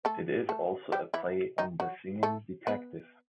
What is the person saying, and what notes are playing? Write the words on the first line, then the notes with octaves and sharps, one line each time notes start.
It is also a play on The Singing Detective.
A3 A4
A3 A4
G3 G4
E3 E4
D#3 D#4
F#3 F#4
A3 A4
B3 B4